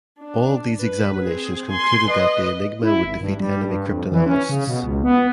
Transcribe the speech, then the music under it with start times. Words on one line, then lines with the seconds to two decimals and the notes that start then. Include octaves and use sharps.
All these examinations concluded that the Enigma would defeat enemy cryptanalysts.
0.20 D4
0.79 B4
1.25 C4 G#4
1.71 G#5 C6
2.08 B4 D#5
2.83 E4
3.03 G#1
3.20 G2
3.40 G3
3.64 G2
3.89 F2
4.12 E3
4.26 C#4
4.49 C#3
4.67 B2
4.83 C#2
5.03 B3